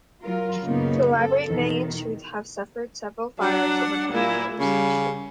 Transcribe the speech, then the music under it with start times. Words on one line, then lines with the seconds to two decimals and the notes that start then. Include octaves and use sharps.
The library may in truth have suffered several fires over many years.
0.23 F#3 F4 A#4
0.66 F#2 A#2 C#3 A#3 B3 D#4
1.17 A4
1.48 E2 B2 D#3
3.40 F#3 D4 F#5
4.11 A#2 A#3 E4
4.60 C#3 G3